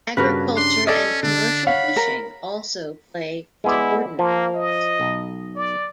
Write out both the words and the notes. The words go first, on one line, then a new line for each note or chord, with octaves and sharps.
Agriculture and commercial fishing also play subordinate roles.
G2 C#3 F#4 A#4 B4
D4 C6
C#4 A4 D5 D#5
D3 D4
C#5 F5 F#5 B5
A#4
G#3 B3 E4 D5
F3 A#3
D#5
B1
D5